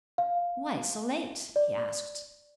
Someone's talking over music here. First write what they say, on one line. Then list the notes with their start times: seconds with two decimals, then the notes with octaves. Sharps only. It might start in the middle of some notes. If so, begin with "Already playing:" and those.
"Why so late?" he asked.
0.18 F5
1.56 D5